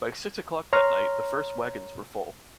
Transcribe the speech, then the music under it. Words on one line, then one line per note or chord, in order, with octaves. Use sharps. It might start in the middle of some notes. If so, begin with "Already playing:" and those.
By six o'clock that night, the first wagons were full.
C#5 A#5 C6 F6